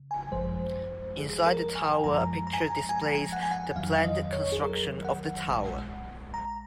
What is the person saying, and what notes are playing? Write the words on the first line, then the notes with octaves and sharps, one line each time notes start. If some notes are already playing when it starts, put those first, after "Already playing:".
Inside the tower a picture displays the planned construction of the tower.
Already playing: C#3
G#5
G#1 F#2 F3 G#3 C5
G#4
A#4
G#5
F#2 F3 G#3 A#5
A#5
G#5
A#5
G#5
A#5
G#5
F#5
G#5
F#5
F2 D#3 F#3 F5
D#5
C#5
G#4
A#4
F#5
A#1 A#2 G#3
A#5